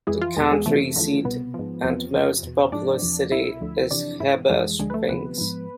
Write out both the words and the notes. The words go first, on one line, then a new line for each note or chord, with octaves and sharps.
The county seat and most populous city is Heber Springs.
F2 E3 G#3 G#4
F4
E2 B2 G#3 G#4
G#3 G#4
F2 C3 E3 A3 A4
E2 D3 F3
C2 B2 B3 B4
G#2 F3
E2 C3 F3
F2 C3 F3
E2 B2
G#2 F3 D4 D5
E2 C3 F3
C2 B2 E4 E5
D2 D3 F3
F2 C3 E3 D4 D5
G#2 E3 E4
F2 E3 G#3 G#4
D2 D3 F3 G#3 G#4
B4
A3 A4
D2 C3 F3 B3 B4
G#2 F3